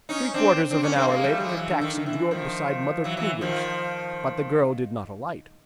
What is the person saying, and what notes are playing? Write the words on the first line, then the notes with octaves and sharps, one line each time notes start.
Three-quarters of an hour later her taxi drew up beside Mother Kruger's, but the girl did not alight.
C#4 D#4
C4 D4
C4 D4
B3 C#4
A#3 C4
G#3 A#3
G3 A3
F#3 G#3
F3
E3 F#3
D3
D#3
D#3
D3 E3
D#3 F3
E3 F#3
E3 F#3
D#3 F3